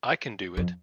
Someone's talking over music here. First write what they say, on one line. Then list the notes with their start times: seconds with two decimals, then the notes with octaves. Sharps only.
I Can Do It!
0.57 F2